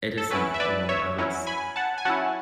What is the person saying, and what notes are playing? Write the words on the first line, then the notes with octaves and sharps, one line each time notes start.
Eddison, among others.
A4
F#3 C#4 E4 B4
E5
B4 D5
C#5 E5
F#3 C#4 E4
G#5 B5
F#5 A5
G#5
F#3 C#4 E4 F#5 A5